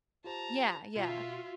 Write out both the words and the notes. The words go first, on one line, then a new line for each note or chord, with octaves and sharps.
Yeah, yeah.
F4 G4 C5 A5 A#5
B2 F4 F#4 E5 F5